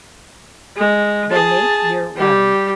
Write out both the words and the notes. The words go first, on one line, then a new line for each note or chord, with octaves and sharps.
They mate year round.
G#3
G#4 A5
G3 G4